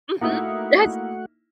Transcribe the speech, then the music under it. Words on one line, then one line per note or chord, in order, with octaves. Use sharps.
Mhm. That's
A3 A#3 D#4 E4 F#4 F#5